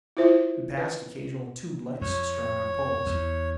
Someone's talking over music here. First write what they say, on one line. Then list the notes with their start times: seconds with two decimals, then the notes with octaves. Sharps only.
We passed occasional tube-lights strung on poles.
0.17 E4 F4 C5 E5
0.77 B4
2.01 F2 C#5
3.06 E2